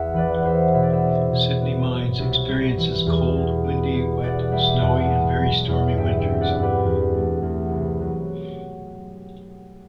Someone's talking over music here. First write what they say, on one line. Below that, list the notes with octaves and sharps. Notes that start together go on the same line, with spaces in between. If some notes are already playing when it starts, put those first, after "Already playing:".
Sydney Mines experiences cold, windy, wet, snowy and very stormy winters.
Already playing: E2 E5 F#5
E3 B4 D5
F#5
E2 C5 E5
B2 E5
D5
C5 E5
C4
B2
B3
F#3
C2
G3
E3
E2
B2
B3
B2
E2 D5 F#5
G3 E5 G5
E2 F#5 A5
B3
F#3
E2
G2 E5 G5
E5 G5
C4
D5 F#5
G2
G4 B4
E2
A3
E2
C2
F#3